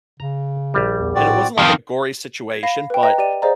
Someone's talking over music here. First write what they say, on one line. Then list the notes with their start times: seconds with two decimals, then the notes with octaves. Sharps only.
and it wasn't, like, a gory situation, but
0.20 C#3 A#5
0.74 A#1 G3
1.00 E2
1.15 A2 C4 F#4 D5
1.58 F2 D#3 D#4 F5
2.50 G#6
2.63 F5 B5 A#6 C7
2.90 B4 G5
3.03 B4 D#5 G5 A#5
3.18 G4 D5 G5 D#7
3.42 G#4 C5 D5 D#5 F5 A#5